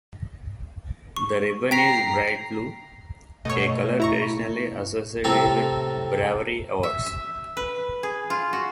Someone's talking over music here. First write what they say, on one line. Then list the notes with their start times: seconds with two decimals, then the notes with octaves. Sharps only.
The ribbon is bright blue, a colour traditionally associated with bravery awards.
1.17 C#6
1.71 G5 A#5 B6 C7 F7
3.45 B2 A3 C#5 D#5
4.00 E4 A#5 C#6
5.24 A2 C3 C4 A4 A#5
6.83 E5
7.06 E5
7.57 B4
8.03 G#4
8.30 F4
8.53 F#4